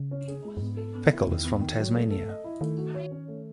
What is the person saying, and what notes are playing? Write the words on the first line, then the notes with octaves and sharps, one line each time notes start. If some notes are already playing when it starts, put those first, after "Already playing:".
Pecl is from Tasmania.
Already playing: C#3
C#4
G#4
G#3
F#2
G#2 B3
A4
B3
E4
E2 D#3
B3
D#3
F#3
A3
A4
D#5
E4
D#3 A3
F#4
C#5
C#4
A3